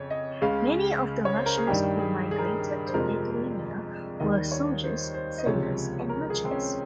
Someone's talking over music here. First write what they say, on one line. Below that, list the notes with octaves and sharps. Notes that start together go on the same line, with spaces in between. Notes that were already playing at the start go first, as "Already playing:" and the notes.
Many of the Russians who migrated to Lithuania were soldiers, sailors, and merchants.
Already playing: F2 C#3 C#5
D#5
C#2 C#3 G#3 F5
C#5
C5
A#4
G#4
G2 D#3 G3 G4
G#4
G#4
A#4
G#4
C5
F2 C3 F3 G#3 A#4
D#2 D#3 G3 D#5
C#5
C5
C5
D#5
C#2 C3 F3 G#3 C#5
A#4
G#4
C4
C#4